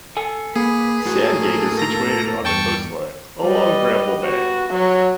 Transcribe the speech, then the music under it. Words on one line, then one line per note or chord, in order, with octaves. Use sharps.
Sandgate is situated on the coastline, along Bramble Bay.
A4 G#5
A#3 G#4 B4
A2 A#3 F#4 A4
A#5 A#6
E2 G2 G5 A5 C#6
G3 B4 D#5
B3 F#4
F#3 F#4 C#5